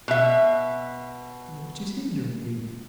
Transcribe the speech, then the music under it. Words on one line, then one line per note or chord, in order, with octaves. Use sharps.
"What is hindering you?"
B2 E5